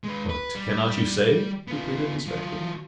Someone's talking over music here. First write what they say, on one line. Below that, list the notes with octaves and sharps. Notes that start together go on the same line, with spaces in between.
"But cannot you say?" he pleaded, distractedly.
G#3 B4
B4
G3
B3 F4
F#3 F4